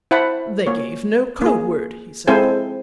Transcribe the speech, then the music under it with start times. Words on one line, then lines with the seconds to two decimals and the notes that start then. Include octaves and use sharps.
"They gave no code word," he said.
0.11 E4 C5 F#5 A5 B5
0.66 A#3 C#5
1.42 A#3 G#4
2.27 G#3 C4 E4 A4 C5 G#5